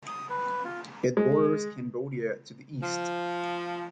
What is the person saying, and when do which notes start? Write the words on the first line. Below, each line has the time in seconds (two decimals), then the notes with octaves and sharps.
It borders Cambodia to the east.
0.07 D#6
0.29 B4
0.64 F4
1.17 G#3
2.83 F3